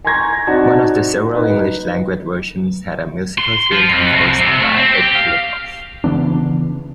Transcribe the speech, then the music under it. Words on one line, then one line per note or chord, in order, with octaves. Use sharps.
One of the several English-language versions had a musical theme composed by Edd Kalehoff.
G#5 A#5 C6 C#6 G#6 A#6
C4 D#4 F#4 D5 A5
D#4 B4
C6
F3
F2
C2
C3
A3
C4
G4
F5
C#3 E3 B3 D4